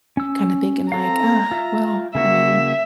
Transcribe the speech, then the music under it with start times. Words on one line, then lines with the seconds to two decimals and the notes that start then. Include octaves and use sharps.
kinda thinking like, "Uh, well," I mean,
0.17 C#4 E6
0.92 C4 A4 F5 A#5
1.51 F4 E5
2.15 C#3 A#3 F#4 E5